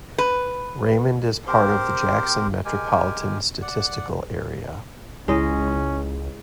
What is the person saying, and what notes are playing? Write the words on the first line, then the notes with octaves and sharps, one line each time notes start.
Raymond is part of the Jackson Metropolitan Statistical Area.
B4
C4 G4 A#4 C5
G#3 G4 A#4 G#5
D5 F#5
C#2 G#3 C#4 E4 C#5 D#5